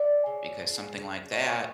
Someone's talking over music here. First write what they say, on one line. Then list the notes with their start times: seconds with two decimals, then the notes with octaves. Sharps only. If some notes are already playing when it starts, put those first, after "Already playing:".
because something like that.
Already playing: F#3 D5 E5
0.26 C#3
0.61 F3
0.96 C#3
1.31 E3 C#5 D#5
1.49 C#5 D#5